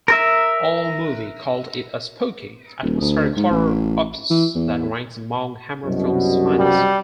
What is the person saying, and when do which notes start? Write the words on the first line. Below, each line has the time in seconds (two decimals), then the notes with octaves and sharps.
AllMovie called it a spooky, atmospheric horror opus that ranks among Hammer Films' finest.
0.08 A#4 E5
2.83 D#1
3.01 D2
3.36 G#2
3.50 A1
4.30 E3
4.55 E2
5.84 C2 F#2 B2
6.58 G3